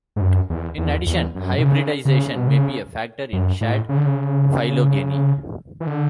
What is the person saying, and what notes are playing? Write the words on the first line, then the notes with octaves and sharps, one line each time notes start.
In addition, hybridization may be a factor in shad phylogeny.
G#2
F#2
E2
E2
E2
F#2
B2
C#3
C#3
B2
C#3
F#2
A2
C#3
D3
C#3
E3
D3